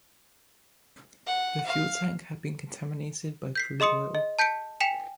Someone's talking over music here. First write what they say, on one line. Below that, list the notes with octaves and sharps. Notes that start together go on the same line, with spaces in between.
The fuel tank had been contaminated by crude oil.
F#5
F5
G6 B6 C7
G#4 D#5 C6 D#6 C#7
D#5
A5 G6 B6 C#7 D7
G5 G#5 B6 C#7 E7 F7